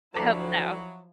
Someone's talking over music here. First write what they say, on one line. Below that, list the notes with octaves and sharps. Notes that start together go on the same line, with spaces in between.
I hope so.
D2 F3 F#3 E4 A5 A#5 D6